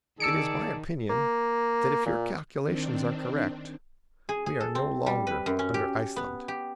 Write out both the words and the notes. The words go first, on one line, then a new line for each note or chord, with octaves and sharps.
"It is my opinion that if your calculations are correct we are no longer under Iceland."
D#3 G#4 D5 A5 E6 C#7 D7
A#3
A#2
D#3 C4 D4
G#4
G#4
A4
C4
G3
B4
F#2
C#4
G4
B3
G4